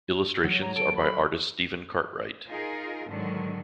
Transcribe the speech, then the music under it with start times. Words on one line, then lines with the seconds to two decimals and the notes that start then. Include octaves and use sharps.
Illustrations are by artist Stephen Cartwright.
0.44 F#3
0.62 A#5
0.76 A4 D7
0.96 B5
2.48 D#4 F4 G#4 A#4
3.08 G#2 D3 D#3 F#3